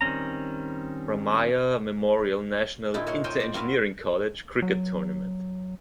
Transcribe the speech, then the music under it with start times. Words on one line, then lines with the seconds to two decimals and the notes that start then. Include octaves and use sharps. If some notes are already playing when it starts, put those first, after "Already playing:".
Ramaiah memorial national inter-engineering college cricket tournament.
0.01 D#3 G3 C4 C#4 A#5
2.94 A#2 D#4 E4
3.07 A#3 A#4 C#5 F#5 C6
3.24 A#4 C5 C#5 D#5 G5 G#5
3.40 C5 D5
3.54 A#3 C4 F#4 A#4 B4 F5
4.62 F#3